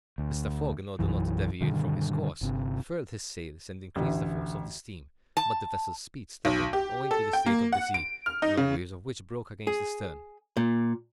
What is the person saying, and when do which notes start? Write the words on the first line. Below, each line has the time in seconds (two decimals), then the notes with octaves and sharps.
Mr. Fogg, in order not to deviate from his course, furled his sails and increased the force of the steam; but the vessel's speed slackened, owing to the state of the sea, the long waves of which broke against the stern.
0.18 D2
0.99 B1 F#2 E3
1.61 G2 B2 D3 D#3
2.41 G1 C3
3.96 A1 D2
5.37 A5
6.45 B1
6.73 G4
7.11 A4
7.33 G5
7.46 A#3
7.73 F#5
7.94 D7
8.26 F6
8.42 D#4
8.57 C#3
9.67 G#4
10.57 A#2